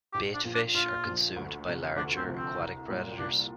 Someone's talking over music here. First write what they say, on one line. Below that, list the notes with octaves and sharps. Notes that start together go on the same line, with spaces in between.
Bait fish are consumed by larger, aquatic predators.
A#1 G4
D4
A#2 F3
D4
A#1 F4
A#2 F3
D2
C3 F3
D2 D4
C4
C3 F3
C4
C2
A#2 G3
C2 D4